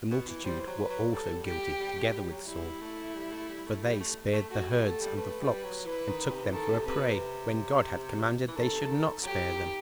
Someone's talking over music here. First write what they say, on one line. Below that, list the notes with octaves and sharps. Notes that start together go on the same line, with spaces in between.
The multitude were also guilty, together with Saul; for they spared the herds and the flocks, and took them for a prey, when God had commanded they should not spare them.
B2
E3
G3 C5
E3
F#3
B4
F#3
G3 A4
F#3
G3
G4
G3
A3
G3
F#3
G3 E4
A3
G3
A3
G3
A3
G3
A3
A3
A3 F#4
G3
A3 A4
G3
A3 B4
G3
B4
F#3
E3 B4
D#3
C3
E3
D#3 A4
C3
C3 B4
B2
C3
E3
D#3 A4
C3
D#3
F#3 G4
E3
D#3